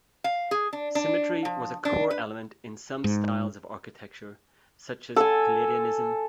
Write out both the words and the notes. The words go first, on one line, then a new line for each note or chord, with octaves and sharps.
Symmetry was a core element in some styles of architecture, such as Palladianism.
F5
G#4
D4
D4
F3
D4
B4
G#2
A4 G#5